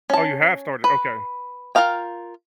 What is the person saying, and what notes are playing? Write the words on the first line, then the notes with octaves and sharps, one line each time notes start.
Oh, you have started? Okay.
C#4 A5
B4
F4 G#4 A#4 F5 G5